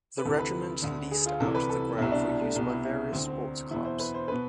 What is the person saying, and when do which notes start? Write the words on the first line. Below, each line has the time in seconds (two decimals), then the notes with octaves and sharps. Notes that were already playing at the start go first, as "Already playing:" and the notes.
The regiment leased out the ground for use by various sports clubs.
0.18 B4
0.25 D2 C3 E3 A4
0.39 B4
0.82 D2 D3
1.11 G#4
1.26 F4
1.40 C2 C3 E3 A4
1.55 B4
1.70 A4
1.98 C2 B2 E4
2.12 D4
2.41 A3
2.55 C2 B2 B3
2.70 E4
2.85 E4
3.13 D2 D3 C4
3.28 C4
3.71 E2 B2 E4
3.85 C5
4.00 B4
4.14 C5
4.28 B2 B4